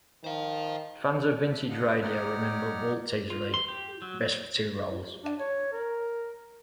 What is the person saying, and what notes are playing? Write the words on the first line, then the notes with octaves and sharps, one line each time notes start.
Fans of vintage radio remember Walter Tetley best for two roles.
D#3 C5 F5
D4 E5
D4 B4 D#5 F5 F#5
D#4 G4 C#5 D5 F#5 F6
F4
C6
G4
F#3
D4
C#5
A#4